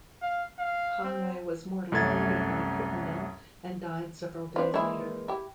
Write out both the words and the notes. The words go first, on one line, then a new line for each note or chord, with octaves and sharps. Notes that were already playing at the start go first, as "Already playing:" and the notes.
Conway was mortally wounded by Crittenden and died several days later.
F5
F5
C4
C2 F#2 A3 C#4 G#6 A6
C4 D4 F4 B4
E3 G#3 A#3 D4 E4
E4 G4